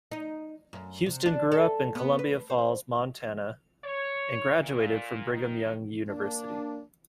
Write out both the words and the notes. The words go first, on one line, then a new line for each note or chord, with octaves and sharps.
Houston grew up in Columbia Falls, Montana, and graduated from Brigham Young University.
D#4
F#2
C3
D4
A4
B3
B4
C5
C#5
A#2
D#3
A#3 D4